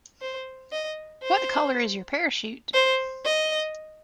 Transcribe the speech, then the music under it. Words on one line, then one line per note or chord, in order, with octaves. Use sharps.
What colour is your parachute?
C5
D#5
C5
C5
D#5